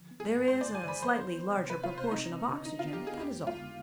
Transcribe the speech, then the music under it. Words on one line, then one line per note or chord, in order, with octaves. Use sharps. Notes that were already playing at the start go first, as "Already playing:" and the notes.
There is a slightly larger proportion of oxygen; that is all.
Already playing: D3 F3
B3
G#4
G2
G#3 C5
D5
D3
G#5
D3 B5
F3 C5
B3
B3
C3
B4
C3
F4
C3 C5
C4 D#4
C4
D3
D4 D#4
F4
B3
G4
B3
G#4
F2 G4
G#3
F4
D3